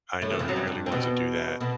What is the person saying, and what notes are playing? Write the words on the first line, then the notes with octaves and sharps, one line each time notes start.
I know he really wants to do that,
A2 A3
E2 E3
F2 F3
F#2 F#3
G2 G3
C4
B2 B3
B2 B3